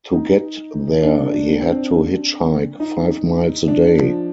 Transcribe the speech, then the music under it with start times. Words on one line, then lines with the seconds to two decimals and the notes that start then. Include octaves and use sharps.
To get there, he had to hitchhike five miles a day.
0.13 D#4
1.02 D4
1.31 D4
1.61 C4
1.91 D4
2.80 D#4
3.68 D4
3.98 F3